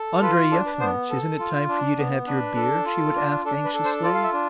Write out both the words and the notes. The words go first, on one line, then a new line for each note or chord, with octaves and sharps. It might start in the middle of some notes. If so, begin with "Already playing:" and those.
"Andrey Yefimitch, isn't it time for you to have your beer?" she would ask anxiously.
Already playing: A4
F4 B4
D4 A4
B4
B3 C5
A4
F4
D4
B3
D4 B4
A4
F4
D4
D4 A4
B4
A4
C5
F4 D5
F5
E5
D4